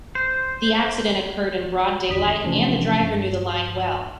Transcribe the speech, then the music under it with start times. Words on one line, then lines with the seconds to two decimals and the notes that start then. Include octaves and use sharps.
The accident occurred in broad daylight and the driver knew the line well.
0.15 C5
2.08 A1 F2 D#3 D#6 B6
2.44 C3 E3 F3 A3 C#4 D4
3.01 G2